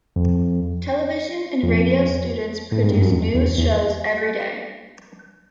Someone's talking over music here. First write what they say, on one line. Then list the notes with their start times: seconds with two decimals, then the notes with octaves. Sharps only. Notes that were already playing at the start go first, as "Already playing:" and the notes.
Television and radio students produce news shows every day.
0.16 F2
1.63 F2
2.72 A2
2.81 G#2
2.90 G2
3.00 F#2
3.09 F2
3.34 E2
3.58 E2